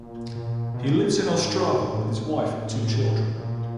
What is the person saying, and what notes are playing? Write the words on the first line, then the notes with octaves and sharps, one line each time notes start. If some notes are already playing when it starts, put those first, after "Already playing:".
He lives in Ostrava with his wife and two children.
Already playing: A#2
A#2
B2
A2
A#2
G#2
A2
A#2